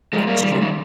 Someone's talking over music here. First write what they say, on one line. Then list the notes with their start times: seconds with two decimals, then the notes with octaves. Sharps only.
Yeah, it's true.
0.13 F3 G#3
0.27 G3 A#3
0.42 D#3 G3
0.51 C#3 F3
0.61 D#3 G3